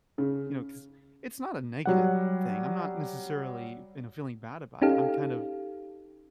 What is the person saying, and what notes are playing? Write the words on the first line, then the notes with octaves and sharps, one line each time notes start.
you know, 'cause it's not a negative thing. I'm not necessarily, you know, feeling bad about it. I'm kind of
C#3
F#3 G3 F#5
C#4 D#4 G4 A4 F5